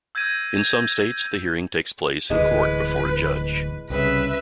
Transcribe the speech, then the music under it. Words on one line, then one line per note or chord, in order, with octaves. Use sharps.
In some states, the hearing takes place in court before a judge.
E6 G6 G#6 A#6 D#7
D1 E3 G#3 B4
C2 C#3 B4 E5